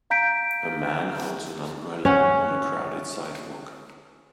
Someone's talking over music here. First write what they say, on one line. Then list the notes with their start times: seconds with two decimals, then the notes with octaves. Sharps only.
A man holds an umbrella on a crowded sidewalk.
0.10 F5 A#5 G6 B6 D7
2.05 C#4 F#5